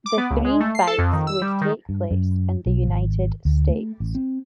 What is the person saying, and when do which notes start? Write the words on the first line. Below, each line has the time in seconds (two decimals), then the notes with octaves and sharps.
The three fights would take place in the United States.
0.06 D6
0.17 B3
0.30 C#2
0.44 G#3
0.60 A3
0.75 C7
0.87 A4
0.98 F2
1.13 D#3
1.27 E6
1.41 G3
1.61 D#3
1.89 G2
2.11 F#2
2.66 B1
2.87 G#1
3.45 D2
3.70 A3
4.00 A1
4.15 C4